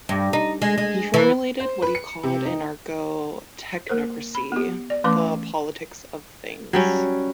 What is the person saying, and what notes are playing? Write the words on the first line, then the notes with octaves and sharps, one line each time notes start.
He formulated what he called Anarcho - Technocracy : 'The Politics of Things'.
G2
D#4
G#3
G#3
E3
C5
B4
C#7
C3
D#4
A#3 A#4 C5
B5
B3 G4
D5
E3 A3 C#4 B4 C6 D6
F#3 G3 C#4